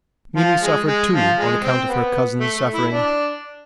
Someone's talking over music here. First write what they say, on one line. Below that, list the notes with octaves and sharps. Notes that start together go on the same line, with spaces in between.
Mimi suffered too on account of her cousin's suffering.
F3
G#3
G#3
F3
G#3
C4
B3
A3
A3
E4
D4